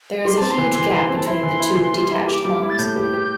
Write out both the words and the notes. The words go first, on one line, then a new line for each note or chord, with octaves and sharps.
There is a huge gap between the two detached homes.
G4 C6
C4 A5
C6
E3
E3
E3
C4
A5
E4 C6
E3
E4
E3
G3
E4
G4 D6
G3
E4
A6
A2 G6
G4
G4